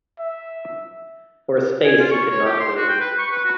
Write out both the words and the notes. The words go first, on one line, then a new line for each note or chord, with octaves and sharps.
For a space he could not move.
E5
G#5
F4
C#6
C#5
G4
C6
F#4
G5
B4
C#6
B4
F#4